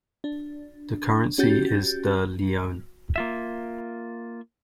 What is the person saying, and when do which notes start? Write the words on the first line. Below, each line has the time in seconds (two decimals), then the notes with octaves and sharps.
The currency is the leone.
0.24 D4
1.38 C#4 F#4 G4 G6 A6
3.16 A#3 F4 E5